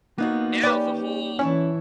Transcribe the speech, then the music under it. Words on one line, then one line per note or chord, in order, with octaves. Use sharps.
now the whole
A#3 B3 D#4 F4 F#4
C#4 G4 B4 D5
E3 C#4 E4 C#5 A5